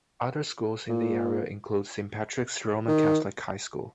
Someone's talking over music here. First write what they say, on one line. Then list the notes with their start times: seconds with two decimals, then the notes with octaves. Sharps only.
Other schools in the area include Saint Patrick's Roman Catholic High School.
0.89 A#2
2.88 D#3